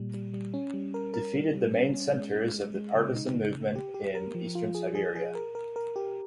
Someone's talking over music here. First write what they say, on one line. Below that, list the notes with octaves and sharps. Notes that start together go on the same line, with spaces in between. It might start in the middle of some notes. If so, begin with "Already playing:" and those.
Defeated the main centers of the partisan movement in Eastern Siberia.
Already playing: A#2 G3
G3
G3
C#4
G3
A#4
A#4
G3
G3
C#4
C#4
G#3
G#3
G#3
G#3
C#3
D#4
C#3
C#3
G4
G4
A#4
F3
F4
G#4
G#4
G#4
A#4
A#4
A#4
G4